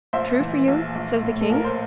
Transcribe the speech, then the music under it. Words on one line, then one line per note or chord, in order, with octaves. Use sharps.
"True for you," says the king.
A#1 C5 E5
E3
A#1
A#1
A2
A4
A#1 A#4
C5